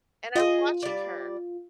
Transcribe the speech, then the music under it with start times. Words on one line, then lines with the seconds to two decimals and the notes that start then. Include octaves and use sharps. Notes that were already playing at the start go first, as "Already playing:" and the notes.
And I'm watching her
0.36 F4 G#4 A#4 D#5
0.82 G3 D5